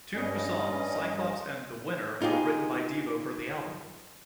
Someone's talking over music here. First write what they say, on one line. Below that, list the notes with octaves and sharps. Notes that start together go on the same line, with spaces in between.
Two new songs, "Cyclops" and "The Winner", were written by Devo for the album.
G2 G3 C#4 D#5
D#4 F4 G4 G#4